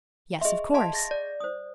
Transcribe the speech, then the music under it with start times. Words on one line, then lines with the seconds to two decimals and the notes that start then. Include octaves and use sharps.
"Yes, of course."
0.41 G#4 D#5 E5 C6
0.74 D#5 F5 A5 C6
0.93 G#4 A6 A#6
1.11 D5
1.40 C5 D#6